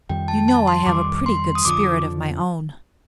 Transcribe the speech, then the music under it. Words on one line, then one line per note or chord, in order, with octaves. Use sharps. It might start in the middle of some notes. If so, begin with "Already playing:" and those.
You know I have a pretty good spirit of my own.
F2 D#3 G3 G5
A5
A5
C6
F2 D#3 G3 D6
C6
D#6
F2 D3 F3 D6